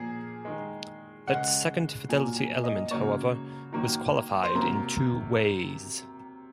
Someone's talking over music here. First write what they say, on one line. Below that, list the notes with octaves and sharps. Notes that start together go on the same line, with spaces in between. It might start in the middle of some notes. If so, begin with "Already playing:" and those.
That second fidelity element, however, was qualified in two ways.
Already playing: A#2 F3 A#3 G#4
D#3 G#3
C#3 G#3 F#5
A#2 F#3 A#3 G#5
G#5
D#5
C#3 F#3 A#3 C#5
D#3 F#3 A#3
C5
C3 F#3 A#3 A#4